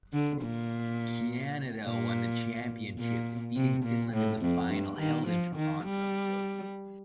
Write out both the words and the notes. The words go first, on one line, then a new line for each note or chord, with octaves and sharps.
Canada won the championship, defeating Finland in the final, held in Toronto.
D3
A#2
A#2
A#2
C3
A#2
A2
F2
G2
D#3
F3
D#3
G3